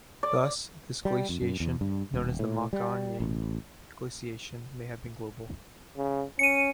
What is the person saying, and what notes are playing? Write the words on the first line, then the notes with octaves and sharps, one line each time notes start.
Thus, this glaciation, known as the Makganyene glaciation, may have been global.
D5
G3
F2
F#2
E2
G2
D#1
A2
G3
A1
C#3
C#4 C#7 D#7